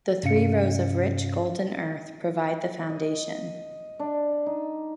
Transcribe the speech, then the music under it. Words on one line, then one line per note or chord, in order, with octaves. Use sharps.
The three rows of rich, golden earth provide the foundation.
G2 C3 C#4 F5 C#7
D#5
D4
D#4